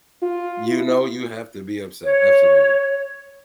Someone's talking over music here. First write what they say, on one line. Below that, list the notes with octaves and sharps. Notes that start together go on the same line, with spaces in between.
You know, you have to be upset, absolutely.
F4
E4
C#5